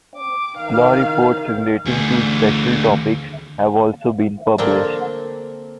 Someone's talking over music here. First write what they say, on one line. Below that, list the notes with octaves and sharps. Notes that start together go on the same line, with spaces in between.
Law reports relating to special topics have also been published.
D6
D#3 F5
D2 G#4
D3 A#3 C4 D4